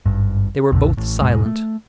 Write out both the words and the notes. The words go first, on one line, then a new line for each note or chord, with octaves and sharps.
They were both silent.
G#1 G2
B1 F2 A#2 D3
A1 A2
E1 G#2 B2 G#3
A3